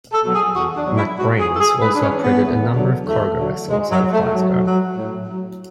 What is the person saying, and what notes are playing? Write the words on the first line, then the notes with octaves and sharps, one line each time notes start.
MacBrayne's also operated a number of cargo vessels out of Glasgow.
A4
B2 F#3
G#4
E2 F#4
D4
B2 F#3
E4
G#2 F#4
G#4
E3
A4
G#4
G#2 B4
D4
C#4
E3
B3
E2
D3 F#3
E2 A3
D3 F#3
G#2 G#3
F#3
F#3
A3
G#2 F#3
F#3
A2
F#3